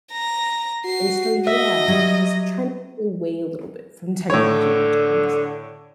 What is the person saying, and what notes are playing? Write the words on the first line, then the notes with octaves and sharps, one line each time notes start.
and so yeah, just trying to pull away a little bit from technology in that terms.
A#5 A#6
F#4 C7
D#5 E5
F#3 G3
A2 D3 C#5